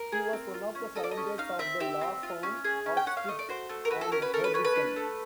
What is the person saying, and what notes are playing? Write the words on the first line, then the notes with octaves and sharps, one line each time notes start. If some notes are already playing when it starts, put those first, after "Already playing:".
He was one of the founders of the law firm of Stites and Harbison.
Already playing: A#4
G#4
C4
F4
C#4
A4 D#5
D5
D#5
C#4
D#4 F5
C4 E5
G4 E5
C4
F4
C#4
G#4
C#4
G5
C#4 F#5
F5
A3 D#5
D5
F#4 C5
A3
A#4
F#4 B4
A4
C#4 A#4
B4
A4 A#4
B4
C#4 B4
B4
D4
A3